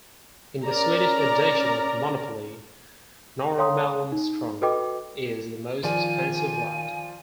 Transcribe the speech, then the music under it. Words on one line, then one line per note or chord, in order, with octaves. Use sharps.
In the Swedish edition of "Monopoly", Norrmalmstorg is the most expensive lot.
C#4 A#4 D5 A#5
C#5 F5 G5 A#5 C6 D#6
D#4
F#4 A4 B4 D#5 G5 D6
D#3 F3 F4 D5 G#5